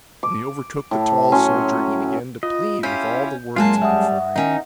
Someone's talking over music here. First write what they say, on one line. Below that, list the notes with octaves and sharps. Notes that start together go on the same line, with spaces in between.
When he overtook the tall soldier he began to plead with all the words he could find.
D6
A2
F#3 C#4 C6
F4 D#5
C#4 E4 F4 G4 G6
F#2 G#3 A#3 F4 A5
G3 E5 F#5 D#6
D#3 C#4 D#4